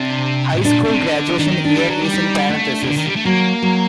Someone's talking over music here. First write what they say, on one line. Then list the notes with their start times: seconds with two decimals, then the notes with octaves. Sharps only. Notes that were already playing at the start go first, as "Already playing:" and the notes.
High school graduation year is in parentheses.
Already playing: C3 D4
0.54 A2
0.65 A#2 D4
0.85 A#2
0.89 C3
1.02 D3
1.38 D#3 D4
1.52 D#4
1.65 D4
1.76 G3
1.89 F#3
2.02 G3
2.14 D#4
2.50 A3 D4
2.82 C3
2.88 D3
2.97 D#3
3.07 G3
3.16 A3
3.25 F#3 A#3
3.62 F#3